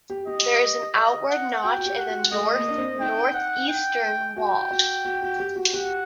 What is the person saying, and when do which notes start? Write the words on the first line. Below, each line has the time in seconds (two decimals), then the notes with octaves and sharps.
There is an outward notch in the north-northeastern wall.
0.10 G4
0.27 G4 D#5
0.95 D#5
1.29 F#5
1.63 F#4 G5
1.77 F#4
1.86 G4
1.97 F#5
2.09 F#4
2.31 A3 D#5
2.54 A#3
2.68 D4
2.77 C4
3.00 D#4 G5
3.34 F#5
3.68 G5
4.37 F#4 G5
4.71 F#4
5.05 F#4
5.22 F#4
5.39 G4
5.56 F#4
5.73 G4 F#5